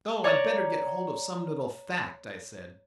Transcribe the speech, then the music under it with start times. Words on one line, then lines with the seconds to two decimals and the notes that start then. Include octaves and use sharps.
'No, I'd better get hold of some little fact' I said.
0.24 C#5 D5 A#5 A6